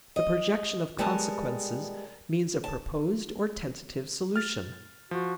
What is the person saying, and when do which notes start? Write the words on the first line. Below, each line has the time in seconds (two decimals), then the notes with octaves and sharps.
The projection of consequences means a proposed or tentative solution.
0.16 D#5
0.98 G3 G#3 B3 A#4 A5
2.64 A5
4.36 F6 A6
5.11 F3 F#4